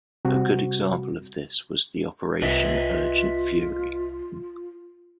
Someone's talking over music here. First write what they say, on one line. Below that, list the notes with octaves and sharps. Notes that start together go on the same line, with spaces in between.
A good example of this was the Operation Urgent Fury.
C3 G3 F#4
C2 F4 B4 D#5 E5